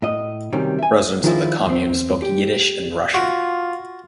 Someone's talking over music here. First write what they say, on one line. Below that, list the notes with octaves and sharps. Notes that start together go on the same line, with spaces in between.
Residents of the commune spoke Yiddish and Russian.
A2 D#5
B1 C3 D#3 G3 C#4
E5 G#5
D#3 F3 G#3 D4 E4 F4
E2 C4
G4
F4 F#4